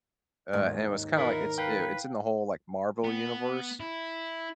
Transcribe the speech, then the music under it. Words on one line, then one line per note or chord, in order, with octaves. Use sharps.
uh, and it was kinda like it's, eh in the whole, like, Marvel universe,
D#2 G#2 D#3
E3 E4 F4 A#4
B4 F5 G5
B3
E4